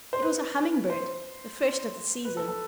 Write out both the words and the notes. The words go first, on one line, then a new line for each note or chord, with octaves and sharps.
It was a humming-bird,--the first of the season.
C5
B4
C5
B4
A4
A4